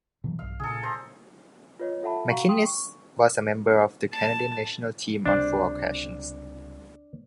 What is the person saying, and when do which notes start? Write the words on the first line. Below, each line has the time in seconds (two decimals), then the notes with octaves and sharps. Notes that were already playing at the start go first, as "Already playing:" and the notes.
MacInnis was a member of the Canadian national team on four occasions.
0.24 B2 E3 F#3
0.39 B1 G2 F5
0.60 A#2 C#3 G#4 A4
0.83 C5 A#5
1.79 F4 B4 C#5 D#5
2.02 F4 A4 E5 F#5 A5 B5
2.30 F#4 F5 F#5 A#5 C#6 F#7
2.48 G5 C6 D#6
2.66 C#6
4.13 A5
5.26 C#2 C3 G3 D4 C5